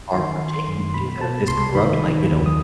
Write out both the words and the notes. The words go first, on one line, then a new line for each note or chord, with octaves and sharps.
are partaking in things that are this corrupt, like, you know,
D#3 C6
D#3
C6
F#2
B2 B5
B2 A5
C2 C6
D#3 B5
D#3
D#2
D#6